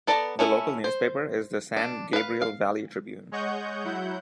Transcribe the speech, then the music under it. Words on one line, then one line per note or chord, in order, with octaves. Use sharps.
The local newspaper is the "San Gabriel Valley Tribune".
B3 A4 D5 A5 A#5
A3 C#4 E4
C5
D4
B4 F5
F5
G#3 C#5 D#5 F#5 C#6 G6
F#3 E4 F#5 G6